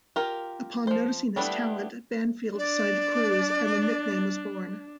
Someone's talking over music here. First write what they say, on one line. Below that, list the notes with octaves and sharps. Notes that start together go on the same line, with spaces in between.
Upon noticing his talent, Banfield signed Cruz, and the nickname was born.
F4 G4 A#4
F3 C5
G3 A3 B3 D4 E4
D4 D5